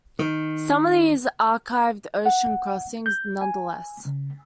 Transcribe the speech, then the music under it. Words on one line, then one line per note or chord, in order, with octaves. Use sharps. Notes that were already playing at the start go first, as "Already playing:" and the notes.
Some of these achieved ocean crossings, nonetheless.
D#3
F#5
G6
G#5
C#3